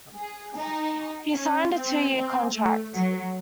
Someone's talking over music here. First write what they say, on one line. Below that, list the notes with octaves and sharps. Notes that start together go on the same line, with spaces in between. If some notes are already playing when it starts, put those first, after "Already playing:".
He signed a two-year contract.
G#4
D#4
C#4
C4
C4
A3
F#3